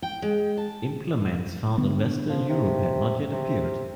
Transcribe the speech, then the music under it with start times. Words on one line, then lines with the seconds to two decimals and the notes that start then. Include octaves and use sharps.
Implements found in western Europe had not yet appeared.
0.02 G5
0.22 G#3
0.57 A5
1.78 D3 B3
2.29 F3
2.50 C3
3.32 C3